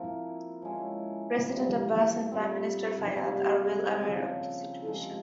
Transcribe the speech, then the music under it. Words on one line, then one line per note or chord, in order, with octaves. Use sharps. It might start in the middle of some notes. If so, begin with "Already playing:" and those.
President Abbas and Prime Minister Fayyad are well aware of the situation.
Already playing: F3 A#3 C4 E4 A#4
F3 G#3 C#4 E4
G3 A#3 E4
A#2 G3 C4
C3 G3 A#3
C#3 F3 C4
C3 F3 G#3